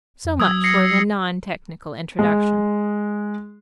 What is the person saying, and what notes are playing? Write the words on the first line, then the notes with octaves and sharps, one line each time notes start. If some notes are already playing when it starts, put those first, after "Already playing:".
So much for the non-technical introduction.
F2
F#3 D#6 E6 G#6
A#6 C7 C#7
G#3